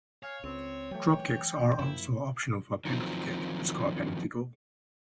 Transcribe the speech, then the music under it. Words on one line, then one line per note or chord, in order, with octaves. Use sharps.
Drop kicks are also optional for a penalty kick to score a penalty goal.
C#5 F5 G#5
C#2 C4
E3 F#3 A3 G5
F#2 F3 A#3 E4
D#3 F3 F#3 C4